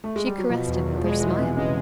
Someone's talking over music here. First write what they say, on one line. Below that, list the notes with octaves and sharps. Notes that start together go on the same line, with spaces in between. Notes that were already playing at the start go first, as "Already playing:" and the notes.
She caressed him with her smile.
A3
G#3
G3
F#3
B2 F3
E2
F#3
E2
F3
G#3
E2 E3
E2 C3
C#3 G#3